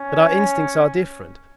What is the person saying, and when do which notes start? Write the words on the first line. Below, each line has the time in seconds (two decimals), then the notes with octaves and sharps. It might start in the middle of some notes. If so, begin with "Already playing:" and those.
But our instincts are different.
Already playing: C#4